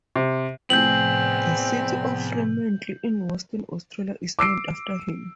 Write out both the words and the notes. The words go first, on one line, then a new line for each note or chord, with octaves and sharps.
The city of Fremantle in Western Australia is named after him.
C3
A2 C3 F3 B3 C4 G#4 G6 F#7
D6 E6 C7 D7